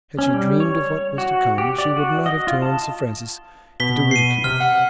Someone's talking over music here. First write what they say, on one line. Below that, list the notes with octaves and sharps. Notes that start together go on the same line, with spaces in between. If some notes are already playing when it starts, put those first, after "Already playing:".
Had she dreamed of what was to come she would not have turned Sir Francis into ridicule.
C#4
G3
C#5
F#4
G4
D5
F#4
D#5
F4
A5
B2 B6 G7
C7 D#7
C3 F6
F#5